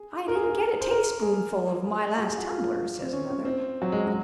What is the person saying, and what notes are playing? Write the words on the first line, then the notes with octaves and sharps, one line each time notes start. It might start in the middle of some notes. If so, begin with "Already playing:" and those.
"I didn't get a tayspoonful of my last tumbler," says another.
Already playing: G#4
A#4
G#4
A#4
C5
A#4
G#4
G#4
F#4
G#4
F#4
F4
C4
C#4
C#4
C4
F#3
G#3
F#3